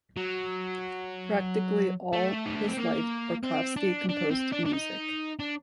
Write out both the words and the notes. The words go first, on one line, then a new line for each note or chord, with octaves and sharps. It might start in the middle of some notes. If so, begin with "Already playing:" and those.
Practically all his life Berkovsky composed music.
F#3
A3
D#4
D4
C4
A#3
C4
D4
D4
C4
D4
D4
D#4
D4